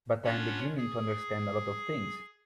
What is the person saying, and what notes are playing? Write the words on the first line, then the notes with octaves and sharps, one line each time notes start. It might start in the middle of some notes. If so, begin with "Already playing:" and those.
But I'm beginning to understand a lot of things.
C#4 D4 F4 C#5 F#5 B5
G#4